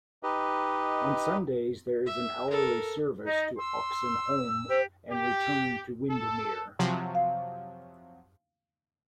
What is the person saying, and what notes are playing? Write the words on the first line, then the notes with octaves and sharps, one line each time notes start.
On Sundays there is an hourly service to Oxenholme and return to Windermere.
D#4 G4 B4 D#5
E5
A4 A#4
D#4 D#5
C6 E6
G4 C5
G4
A4
C3 F3 F#3
F5